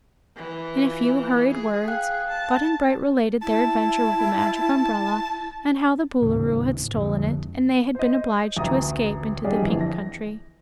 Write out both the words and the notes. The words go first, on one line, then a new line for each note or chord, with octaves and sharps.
In a few hurried words Button-Bright related their adventure with the Magic Umbrella, and how the Boolooroo had stolen it and they had been obliged to escape into the Pink Country.
E3
F4
G#4
F5 G5 F#6
A5
E4 A5
D#2 A2 C#3
F2 D3
C5 D#5
A1 D2 A#5 D#6
G3 D4 G#4 D5 D#5
G1 F2 E3
A#6